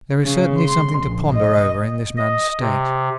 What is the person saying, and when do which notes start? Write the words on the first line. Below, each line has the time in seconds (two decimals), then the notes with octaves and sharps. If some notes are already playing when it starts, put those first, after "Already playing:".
There is certainly something to ponder over in this man's state.
0.24 C#3
0.59 C6
1.00 A#1
1.34 D#5
2.17 D#5
2.61 C3